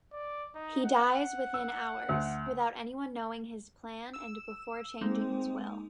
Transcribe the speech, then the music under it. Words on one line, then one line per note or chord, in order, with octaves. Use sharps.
He dies within hours, without anyone knowing his plan and before changing his will.
D5
D#4
F#5
E6
D2
E6 E7
G#3 A#3 C4 D#4